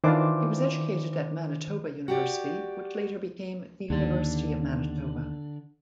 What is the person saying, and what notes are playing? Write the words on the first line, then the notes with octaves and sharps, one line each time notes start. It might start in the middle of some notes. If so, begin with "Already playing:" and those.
He was educated at Manitoba University, which later became the University of Manitoba.
D#3 E3 D4 F4 C5 D6
F#4 G4 D5
D#2 D3 D5